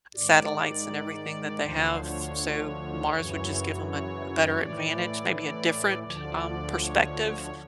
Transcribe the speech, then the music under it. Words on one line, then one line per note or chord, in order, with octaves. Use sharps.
satellites and everything that they have. So Mars would just give 'em a a better advantage, maybe a different, um, perspective
G#2 D#3 D5
D2 D3 F3 C5
C#5
F#2 C#3 E3
C#5
A2 E3 D5
D5
D2 D3 F3 D5
C#5